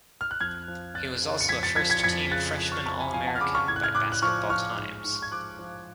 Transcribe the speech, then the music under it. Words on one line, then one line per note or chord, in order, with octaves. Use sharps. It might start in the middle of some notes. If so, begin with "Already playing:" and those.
He was also a first team Freshman All-American by "Basketball Times".
F6
F#6
F2 F6 G#6
F3
F2 F#6 A6
C#3
C#7
F2 G#6 B6
A6 C#7
F3 G#6 B6
G#6 B6
C#7
F2 G#6 B6
C#3 F#6 A6
F2
C#6 F6
F3 A5 C#6
G#5 B5
F2 F5 G#5
F#5 A5
F6
C#3 B5 D6
C#6 F6
A2 G#6
F#6
F6 G#6
A2 D6 F#6
F#6
F3 C#6 F6
F3 C#6 F6
G#2
G#2
G#6
F3 D6 F#6
F3